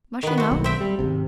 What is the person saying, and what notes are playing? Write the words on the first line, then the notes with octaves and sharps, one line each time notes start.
"Must she know?"
D#3 B3
C4 F#4
B1 A#3
C4 E5 G5
G3
G#1 C3